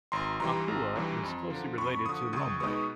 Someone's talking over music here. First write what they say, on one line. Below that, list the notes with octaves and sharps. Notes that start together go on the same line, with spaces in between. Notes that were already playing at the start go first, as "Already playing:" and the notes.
Makhuwa is closely related to Lomwe.
G#1 A#5 C6
G2 E3 G3 A#5 C6
G#1
G2 E3 G3
F2
D3 F3
F2 B5 C#6
D3 F3 C#6 D#6
C#2 C#6 D#6
B2 G#3 B3 D#4 C#6 D#6